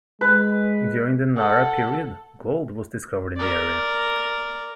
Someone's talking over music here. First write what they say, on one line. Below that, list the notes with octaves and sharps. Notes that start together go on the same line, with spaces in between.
During the Nara period, gold was discovered in the area.
G#3 B4
A4 F#5
A#4 D5